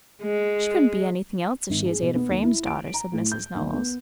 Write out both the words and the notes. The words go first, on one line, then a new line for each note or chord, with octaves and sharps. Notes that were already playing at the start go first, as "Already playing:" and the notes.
"She couldn't be anything else if she is Ada Frame's daughter," said Mrs. Knowles.
G#3
G#1
G#4
B2
B3
D#2
E4
D7
A#5
A2
G6
D#2
B3